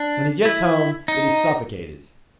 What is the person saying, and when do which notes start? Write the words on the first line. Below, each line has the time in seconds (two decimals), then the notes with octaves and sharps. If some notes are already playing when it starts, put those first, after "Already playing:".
When he gets home it is suffocated.
Already playing: D4
0.45 E4
1.08 D#4